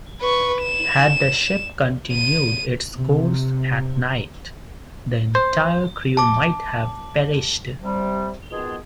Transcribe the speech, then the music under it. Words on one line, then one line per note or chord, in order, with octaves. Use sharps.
Had the ship continued its course at night, the entire crew might have perished.
B4 C#6
E7
D#7
C3
C5
A5 D6
C3 G3
B2 D#3 B3 F4 G#4